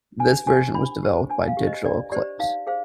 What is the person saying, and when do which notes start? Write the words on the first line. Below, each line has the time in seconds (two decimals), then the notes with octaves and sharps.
This version was developed by Digital Eclipse.
0.19 D4 G#5
0.47 G4 C5 G#5
0.75 D4 B5
1.03 G4 C5
1.30 D4 G#5
1.48 F5
1.57 G4 C5
1.67 D#5
1.85 D4 D5
2.12 G4 C5 D5
2.39 D#4 F5
2.67 G#4 C5 F5